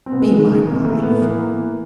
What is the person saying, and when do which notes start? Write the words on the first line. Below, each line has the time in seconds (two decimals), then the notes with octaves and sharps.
Be my wife.
0.06 C4
0.12 C3 B3
0.22 G#3
0.30 D#3
0.39 G#3
0.48 D#3
0.67 C3 A#3
0.85 E3 A3
1.03 A2 B3
1.21 E3 A#3